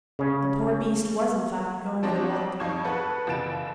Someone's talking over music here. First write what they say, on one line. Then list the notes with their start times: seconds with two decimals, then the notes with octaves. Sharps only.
The poor beast was, in fact, going at a walk.
0.19 C#3 C#4
2.03 F3 C4 D4 G4 C#5 D#5
2.60 F2 D#4 F5 C#6 G#6 E7
2.85 A4 B4 F#5
3.27 F#1 E3 F5 A6 D7 E7